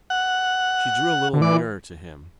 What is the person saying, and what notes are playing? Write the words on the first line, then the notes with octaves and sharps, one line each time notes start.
She drew a little nearer to him.
F#5
D3
E3 D5